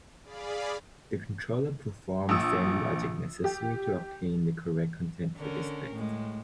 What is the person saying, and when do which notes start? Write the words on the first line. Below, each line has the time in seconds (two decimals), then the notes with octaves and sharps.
The controller performs any logic necessary to obtain the correct content for display.
0.24 G#4 D5 F5 B5
2.29 A#1 D#6 E6
3.44 G4
5.36 D3 C#4 A#4
5.92 A2 G#3